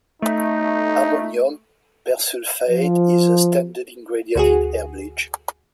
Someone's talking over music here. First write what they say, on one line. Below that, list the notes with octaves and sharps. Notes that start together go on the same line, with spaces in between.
Ammonium persulfate is a standard ingredient in hair bleach.
A3 D#4
F3
D2 F#4 G#4